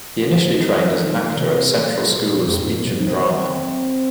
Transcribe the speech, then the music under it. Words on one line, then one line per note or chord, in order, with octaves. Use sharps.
He initially trained as an actor at Central School of Speech and Drama.
F3
G#3
D#3
F3
D#3
C3
A#2
F2
G#2
A#2
C3
D#3
C4
D#4
C4